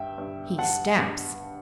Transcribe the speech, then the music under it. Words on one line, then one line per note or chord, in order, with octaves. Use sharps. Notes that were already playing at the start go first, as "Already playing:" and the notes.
He stamps.
Already playing: G2 E5 G5
G2
G2 F#5 A5
G2